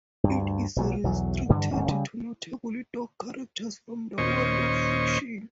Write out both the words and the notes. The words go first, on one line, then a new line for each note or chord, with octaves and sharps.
It is restricted to notable dog characters from the world of fiction.
D2 G2
B1 A#2 F#3
B1 E2 F#3
G2 D3 E3
D1 G#2 D#3 C#4
C#3 G3
D#2 A#2 C#4 C5 D#5 C#6